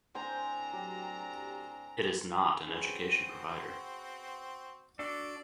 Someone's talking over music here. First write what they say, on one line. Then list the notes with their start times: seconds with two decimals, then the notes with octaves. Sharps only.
It is not an education provider.
0.15 A2 C4 D4 C5 G#5 A#5 G6
0.73 F#3 G4
2.67 C4 C#4 F#4 G#4 B4
4.99 D4 F#4 A4 D5